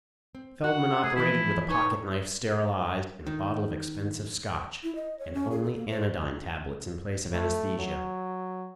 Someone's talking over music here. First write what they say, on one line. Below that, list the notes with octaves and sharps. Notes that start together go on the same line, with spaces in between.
Feldman operated with a pocketknife sterilized in a bottle of expensive Scotch and only anodyne tablets in place of anesthesia.
C4
F#4 F#5
A3 G#4
E3 F3 A#3 E4
D#4 B4 C#5 G#5
D#3
E4
D#5
C#5
C#4
G#4
A4
A#3
C5
A3
F#3